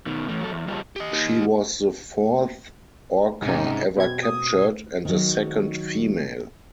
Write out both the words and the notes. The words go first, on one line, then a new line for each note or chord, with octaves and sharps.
She was the fourth orca ever captured, and the second female.
B2 D#3
E3 A3
F#3 A4
E2
G3 F4 G4 G#4 D#5 A5
G4 D#5
D#2
G#2 C3 C#4 D#4
B2 C4 G#6
D#6
D#3 F#3